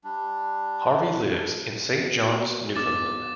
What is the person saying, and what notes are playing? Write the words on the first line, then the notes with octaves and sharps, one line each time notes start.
Harvey lives in Saint John's, Newfoundland.
G3 D4
B3 F#4
B3 D4 D#4 D6 A6